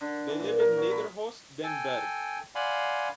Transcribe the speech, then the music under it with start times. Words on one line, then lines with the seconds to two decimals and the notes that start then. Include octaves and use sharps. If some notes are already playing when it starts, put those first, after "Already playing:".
They live in Nederhorst den Berg.
0.01 D3
0.28 E3
0.39 A#2
0.59 A#4
0.77 F#3
0.91 B5
1.63 A4 G5 G#5
2.55 D5 F5 F#5 G#5 B5 C6